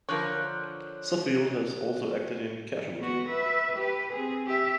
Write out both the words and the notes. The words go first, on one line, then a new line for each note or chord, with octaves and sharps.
Suffield has also acted in "Casualty".
D3 F3 A#4 C#5 F#6
B3 F#4
B4 E5
G4 B4
C4 G#4
G4 E5